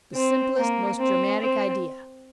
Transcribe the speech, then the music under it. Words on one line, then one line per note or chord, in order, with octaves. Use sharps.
The simplest, most dramatic idea.
C4
A#3
C4
C4